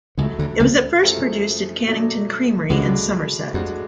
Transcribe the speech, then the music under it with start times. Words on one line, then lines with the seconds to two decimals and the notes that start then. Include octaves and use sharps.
It was at first produced at Cannington creamery in Somerset.
0.18 C#2 A2 C#3 F#3 A3
0.39 D2 D3
0.60 C#2 C#3
1.02 F#2 F3 A3 F4 G#4
1.86 B2 F#3 A3 D4
2.70 C#2 A2 C#3 G#3 D4 F#4
3.54 F2 A2 G#3 D4 F#4